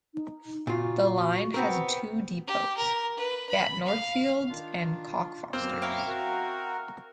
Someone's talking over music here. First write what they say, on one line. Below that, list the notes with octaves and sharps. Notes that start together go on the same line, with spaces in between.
The line has two depots, at Northfields and Cockfosters.
D#4
A#2 F4 F#4
B3 C4 A#4
G4
A#4
B4
B5
F5
D#3 D4 F4
F#2 A#3 C4 E6 F6
E4 F5 G5 A#5 C#6
F#4 A#4